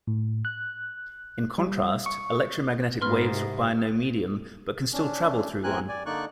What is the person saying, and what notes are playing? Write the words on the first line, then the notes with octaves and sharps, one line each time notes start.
In contrast, electromagnetic waves require no medium, but can still travel through one.
A2
F#6
G3
C#6
G#2 B3 B4 C6 F6
C3
C#4 D4
A2 E3 C4 A#4 G#5 F#6
D5 G#5
D3 A#3 D#4 D5 C#6 F#6